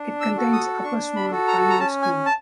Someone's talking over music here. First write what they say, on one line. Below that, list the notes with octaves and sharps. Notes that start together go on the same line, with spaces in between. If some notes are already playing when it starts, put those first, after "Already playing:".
It contains Upper Swan Primary School.
Already playing: D4
E6
F#4 A4
D#6
D4 C#6
B5
F#4 A4
A#5
A#5
C#4 A5
G#5
A5